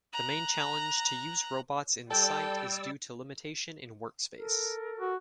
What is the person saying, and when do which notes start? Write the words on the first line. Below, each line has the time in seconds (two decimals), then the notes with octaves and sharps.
The main challenge to use robots in site is due to limitation in workspace.
0.13 A#5 F#6
2.11 G3 A4 D5 G5 E6
4.36 A4 A#4
5.00 F#4